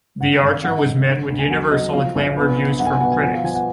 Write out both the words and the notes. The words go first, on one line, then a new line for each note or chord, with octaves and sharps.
The Archer was met with universal acclaim reviews from critics.
G#1 F#5
G#1 F5
G#2 F#5
G#1
D3
D2
G#5
F#3 F#5
F#3 D#5
F3 F5
A#1
B3
D3
B1 F#5
G#5
F#5
B2 F#5
G#5
F3 F#5
F5
F3 G#5
F#5